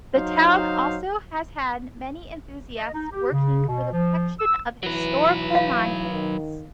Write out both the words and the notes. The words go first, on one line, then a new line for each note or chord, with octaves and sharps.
The town also has had many enthusiasts working for the protection of historical monuments.
F#3 D#4 C5 F5
D#5
D#4
G4
C#3
B2
F3
E6
E3 F#3 B4
F5
D#3